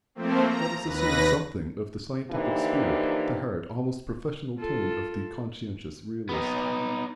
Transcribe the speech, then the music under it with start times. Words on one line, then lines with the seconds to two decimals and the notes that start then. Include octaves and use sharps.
Let us assume something of the scientific spirit, the hard, almost professorial tone of the conscientious realist.
0.15 F3 A3 A#3 C4
0.44 A#5
0.83 D#2 B4 A#6
2.31 D3 E3 F3 A#3 D#4 G4
4.59 F4 A4
6.29 B3 D#4